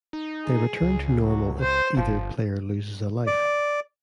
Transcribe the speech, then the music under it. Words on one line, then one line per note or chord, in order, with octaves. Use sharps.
They return to normal if either player loses a life.
D#4
G#4
C#2
F#3
C5
G1 F3
D5